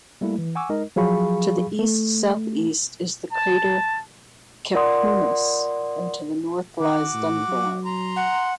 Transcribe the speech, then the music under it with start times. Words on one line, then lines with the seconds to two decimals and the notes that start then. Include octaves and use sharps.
To the east-southeast is the crater Capuanus, and to the north lies Dunthorne.
0.21 G3 A3 A#3 E4
0.38 E3
0.55 F#5 G#5 C#6 D6 E6
0.69 G#3 D#4 A#4 D#5
0.96 F3 F#3 G#4 F5 B5 C#6
1.79 A3
3.31 A5
4.74 F4 A#4 D5 F#5 C6 D#6
6.80 D#3 F#4 D6
7.14 A2
7.48 F#3
7.85 A#5 C6
8.16 F#5